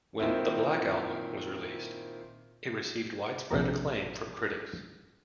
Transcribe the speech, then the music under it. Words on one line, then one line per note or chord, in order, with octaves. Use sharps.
When "The Black Album" was released, it received widespread acclaim from critics.
A#2 D#3 C4 E4
A#1 C3 C4 A#5